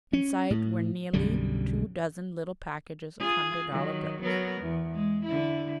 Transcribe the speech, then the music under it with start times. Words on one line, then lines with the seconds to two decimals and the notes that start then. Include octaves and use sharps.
Inside were nearly two dozen little packages of hundred-dollar bills.
0.13 C#4
0.50 A2
1.13 B1 F#2 D3 G3
3.19 F4 G#4
3.71 D#3 F#3
4.22 F#3 B3 A#4
4.61 E2
4.94 G#3
5.25 D3 E4